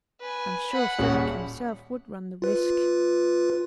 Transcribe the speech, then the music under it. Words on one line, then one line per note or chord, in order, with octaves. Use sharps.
I'm sure Frederick himself, would run the risk.'
B4 G#5
F#5 B5
D#1 C#4 G#4
F4 B4